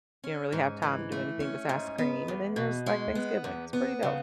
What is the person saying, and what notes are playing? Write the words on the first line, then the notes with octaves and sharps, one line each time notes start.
you don't really have time to do anything besides scream, and then there's like Thanksgiving, it's pretty dope.
C#4
G#2
E3
A3
C#4
G#2
B3
E2
B2
G#3
B3
E2
B3
C#3